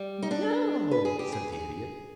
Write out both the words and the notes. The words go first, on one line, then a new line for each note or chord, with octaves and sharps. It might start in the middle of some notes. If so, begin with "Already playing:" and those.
"No," said the Idiot.
Already playing: G3
D#4
D4
B4
G#4
G4
G#4
G#4